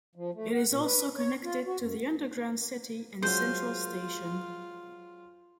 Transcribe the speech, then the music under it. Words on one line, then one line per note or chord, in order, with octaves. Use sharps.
It is also connected to the underground city and Central Station.
F3
A3
F#5
A#2
B4
C#5
F4
F#4
F#2
F#3 G#3 F4 C5